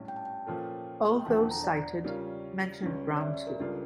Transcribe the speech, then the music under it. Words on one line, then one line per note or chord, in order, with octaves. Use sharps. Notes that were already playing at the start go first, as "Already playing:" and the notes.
All those cited mention Brown too.
Already playing: A#1 A2 G3 C#4 G4
G5
A5
G5
A#2 F3 C#4 F4 A4
G5
E1 E2 D3 F3 A5
A#5
D5
C#3 G3 C#4 F4 A#4
C#2 C#3 G3 C#4
D5
E5
D5
A#4
C#2 C#3 G3 D4 F4 A4